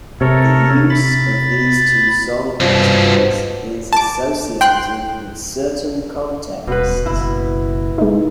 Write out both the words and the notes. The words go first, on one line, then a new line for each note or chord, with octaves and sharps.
The use of these two song categories is associated with certain contexts.
C3 A4 A#4 C#5
B5 A6
C2 G2 B2 F3
A5 D6
G5 C6 F#6
D#1 B2 B4
F#1 E4
G#3 D#4